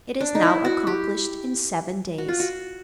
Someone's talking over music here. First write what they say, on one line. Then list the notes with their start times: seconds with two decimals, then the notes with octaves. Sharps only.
It is now accomplished in seven days.
0.21 D4
0.35 D#4
0.42 E4
0.65 F#4
0.87 G4
2.18 F#4
2.28 F4
2.40 F#4